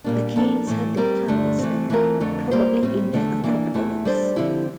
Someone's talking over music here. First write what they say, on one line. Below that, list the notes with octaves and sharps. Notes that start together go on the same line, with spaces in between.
The kings had their palace there, probably in the acropolis.
A#2 G3 A#3 D4
F3 A#3 D4 A4
A2 E3 A3
G3 C4 G4 A#4
G2 D3 A3
E3 A3 C4
E3 A3 C4 F4 A#4
F2 D3 A3
G3 A#3 F4 C5
A2 G3 C4
E2 D3 A3
E3 A#3 D4
E2 E3 A3 E4
G3 D4 A4 C5
D3 F3 C4 E4 G4